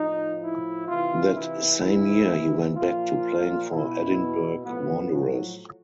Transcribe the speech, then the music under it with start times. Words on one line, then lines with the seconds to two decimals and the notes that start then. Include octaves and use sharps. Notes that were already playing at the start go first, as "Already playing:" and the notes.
That same year he went back to playing for Edinburgh Wanderers.
Already playing: A2 F3 D#4
0.41 E4
0.87 C3 E3 F4
1.35 E4
1.82 C3 E3 E4
2.76 A#2 F3 F4
3.71 B2 E4
4.65 A2 F3 B3
5.13 F#3